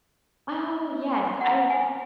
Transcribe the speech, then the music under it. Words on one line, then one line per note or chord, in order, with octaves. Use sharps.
Oh, yes, I
F#5
G#5